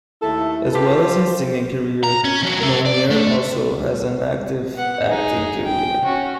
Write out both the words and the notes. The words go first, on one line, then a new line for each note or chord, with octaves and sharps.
As well as his singing career, Mounir also has an active acting career.
D#2 A3 E4 A4
F4 G4 A4 B4
C5
A#5
C#4
F3 F#4
A#4 E5
D5
A3
B3 F#5
D#4 G#4
G5
C#4 F#4